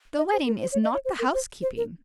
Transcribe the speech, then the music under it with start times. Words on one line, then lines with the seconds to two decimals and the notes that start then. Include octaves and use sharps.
The wedding is not the housekeeping.
0.18 D#5
0.33 C5
0.46 A#4
0.61 C5
0.72 C#5
0.84 D#5
0.94 C#5
1.05 C5
1.19 A#4
1.34 C5
1.62 C5
1.77 A#4